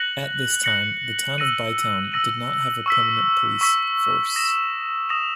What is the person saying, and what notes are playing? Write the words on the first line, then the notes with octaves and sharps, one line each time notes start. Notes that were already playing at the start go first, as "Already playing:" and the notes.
At this time, the town of Bytown did not have a permanent police force.
Already playing: F#6 A#6 C#7 F#7
F#6 A#6 C#7 F#7
E6 A#6 D#7 F#7
E6 A#6 D#7 F#7
C#6 E6 B6
C#6 E6 B6
D#6 A#6 E7
D#6 A#6 E7